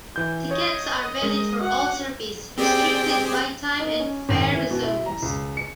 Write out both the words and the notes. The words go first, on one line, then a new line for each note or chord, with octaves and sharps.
Tickets are valid for all service, restricted by time and fare zones.
E3 G6
C#5 D#5
G#3 A#4
F#4 F#5
C4 G4 G#4 D5 G5
D#4
C#4
G#1
E3
B2
E4
A#5
C#2
C#7